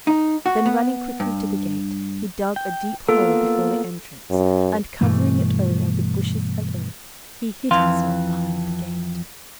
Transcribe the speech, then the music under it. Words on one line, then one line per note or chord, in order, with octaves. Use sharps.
Then running quickly to the gate, he dug a deep hole before the entrance, and covering it over with bushes and earth, he hid himself behind the gate.
D#4
F#4
B3
G2
G5
A#3 B3 F4 A4
F#2
G2 B2 E3 A3
F2 E3 F5 C6